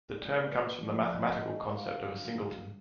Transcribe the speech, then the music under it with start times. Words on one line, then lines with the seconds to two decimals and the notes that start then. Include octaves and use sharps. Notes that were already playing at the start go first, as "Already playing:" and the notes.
The term comes from the mathematical concept of a singleton.
0.18 A#2 G#3 D5
0.49 B4
0.81 A#2 F3 G#3 D5
1.13 D#5
1.45 A#2 G#3
1.76 F5
2.08 D3 F#3